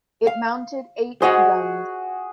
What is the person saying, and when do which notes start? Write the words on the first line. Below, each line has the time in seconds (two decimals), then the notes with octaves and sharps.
It mounted eight guns.
0.27 F5
1.22 F#4 G#4 C5 D#5 F#5